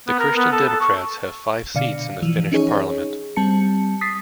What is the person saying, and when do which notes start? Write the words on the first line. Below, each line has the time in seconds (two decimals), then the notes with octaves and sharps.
The Christian Democrats have five seats in the Finnish Parliament.
0.07 B3
0.19 A#4
0.36 B3
0.52 A4
0.69 A4
0.81 C#6
1.75 B2 D3 D5 F5 C#7
2.22 E3 F3
2.52 C#4 D#4 G#4 C#5
3.36 G3 C4 A5 C#7
4.01 D#6 A6 B6 C7